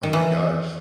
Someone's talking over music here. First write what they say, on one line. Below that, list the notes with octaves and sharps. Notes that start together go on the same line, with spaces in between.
Oh my gosh.
D#3
E3